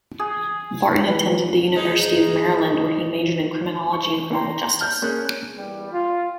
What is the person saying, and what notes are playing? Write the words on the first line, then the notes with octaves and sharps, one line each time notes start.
Barton attended the University of Maryland where he majored in Criminology and criminal justice.
G#4
E3
G#3 D#4 G#4
C#6
G5 A#5 C6
A5 F6 G6
A#3 C#4 G#4 F#6
E2 G3
F4